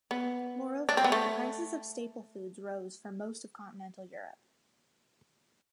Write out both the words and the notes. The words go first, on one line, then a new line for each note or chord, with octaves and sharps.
Moreover, the prices of staple foods rose for most of continental Europe.
B3
D4
C4
B3
A3